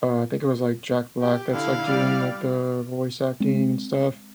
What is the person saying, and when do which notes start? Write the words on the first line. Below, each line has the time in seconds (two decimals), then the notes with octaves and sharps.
uh, I think it was, like, Jack Black that's, like, doing, like, the voice acting and stuff.
1.21 G4
1.53 D3 E4 F5
1.84 G3 D5 F6
3.40 G#3 C4